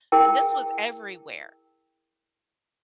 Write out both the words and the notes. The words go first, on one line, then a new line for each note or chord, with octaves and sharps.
so this was everywhere.
E4 G#4 A#4 G5